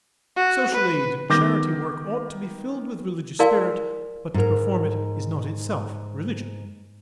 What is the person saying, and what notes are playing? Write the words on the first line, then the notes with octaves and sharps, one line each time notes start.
Social aid and charity work ought to be filled with religious spirit, but to perform it is not itself religion.
F#4
B4
D#3 B3 D6 G6 A#6
E4 A#4 D5 F5 G#5 C6
G#2 A#4